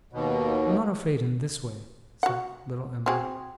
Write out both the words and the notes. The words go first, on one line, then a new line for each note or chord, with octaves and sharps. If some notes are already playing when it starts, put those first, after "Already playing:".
'I'm not afraid in this way,' said little Em'ly.
D#2 B2
F#4 F#5
C4 F#4 G#4